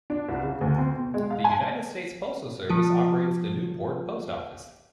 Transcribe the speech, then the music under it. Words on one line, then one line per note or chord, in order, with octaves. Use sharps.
The United States Postal Service operates the Newport Post Office.
D4
C2
C#3
D2
C4
B2
G#3
F5
G#5
F3 F4